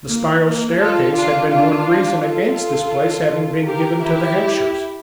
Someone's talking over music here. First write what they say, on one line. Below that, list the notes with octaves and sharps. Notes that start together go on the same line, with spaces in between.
The spiral staircase had been one reason against this place having been given to the Hampshires.
A#3
A#3
F4 A4
D4 F4
D4 F4
F4 A4
G4 A#4
E4 G4